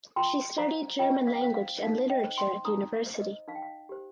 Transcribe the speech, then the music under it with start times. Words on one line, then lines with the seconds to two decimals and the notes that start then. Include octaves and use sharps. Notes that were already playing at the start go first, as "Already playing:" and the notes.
She studied German language and literature at university.
0.16 F4 G5 C6
0.58 C5 F5 A#5
0.99 F4 D#5 G5
1.27 F5
1.35 G5
1.41 C5 F5
1.55 F5
1.82 D#4 F5
2.10 D#5 G5
2.24 C5
2.38 G5 C6
2.65 D#4 A#5 D#6
2.93 F5
3.07 C5
3.20 D#5
3.48 D#4 F5
3.55 G5
3.62 F5
3.89 G4 C5